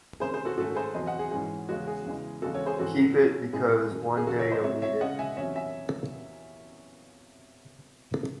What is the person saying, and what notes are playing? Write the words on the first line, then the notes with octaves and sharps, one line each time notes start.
Keep it because one day you'll need it.
C3 D#3 A3 C#4 G#4 C5
G#4 C5
F#4 A4
G#2 D#3 A3 C#4 F#4 A4
G#4 C5
E2 C3 F#3 C5 D#5
D#5 F#5
G#4
G#2 E3 G#3 C#4 G#4
E2 C#3 G#3 C#4 F#4
G#4
E2 C#3 E3 G#3
E2 C#3 G#3 C4 F#4 A4
A4 C#5
G#4 C5
G#2 E3 C4 F#4 A4
C3 F#3 C#4
A2 G#3 C4 G#4
F#2 D#3 A3
G#4
E2 C#3 F#3 A3 F#4 A4
A4 C#5
C5 D#5
C3 F#3 C4 C#5 E5
C#5 E5
C#3 G#3 C#4 D#5 F#5
E5 G#5
E2 C3 F#3 C#4 C#5 E5
E5 G#5